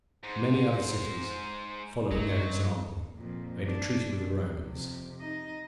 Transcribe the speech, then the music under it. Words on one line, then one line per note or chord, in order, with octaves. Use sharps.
Many other cities, following their example, made a treaty with the Romans.
G#2 C5
G2 A#2 F#3 D#4
F2 A#2
D4
B2
F2 C3
D#4 D#5